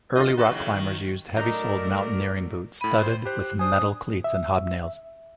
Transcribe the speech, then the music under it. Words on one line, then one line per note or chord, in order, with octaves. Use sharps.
Early rock climbers used heavy-soled mountaineering boots studded with metal cleats and hobnails.
D#4 F4 D#5
F#4 A4 B4
A2 C#3 F#3
D#3
F#3 A3 D#4 A#4 D5 A#5
A2 B5 D#7
C5
G4 C5 F#6
D4 C5 G#5 D#6
E5